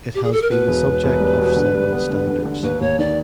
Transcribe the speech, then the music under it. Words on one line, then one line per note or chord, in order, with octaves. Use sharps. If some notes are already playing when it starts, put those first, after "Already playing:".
It has been the subject of several standards.
G4
G#4
A4
A#4
B2 B4
E1
E1
E1
G3
B2
D3
G3
B3
D3
D3
D3
D#2 B4
D#2 C#5
D#3 D5